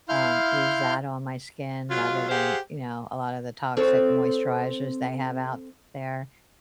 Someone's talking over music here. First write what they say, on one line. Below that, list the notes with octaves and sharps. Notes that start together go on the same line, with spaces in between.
um, use that on my skin rather than, you know, a lot of the toxic moisturizers they have out there.
E4 F5 C6 F6 G6
F#3 G#3 F4
G4 G#4 C5 F5 F#5
C4 A4 C#5